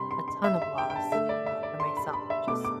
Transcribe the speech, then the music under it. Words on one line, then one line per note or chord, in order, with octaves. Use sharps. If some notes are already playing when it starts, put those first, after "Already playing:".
a ton of loss, uh, for myself, just
Already playing: C3 G3 B5 C6
C6
C6
E5
E5
G5
G5
A5
D3 A3 E5
D5
E5
D5
C6
B5
B5
E5
B2 A3 D6
D6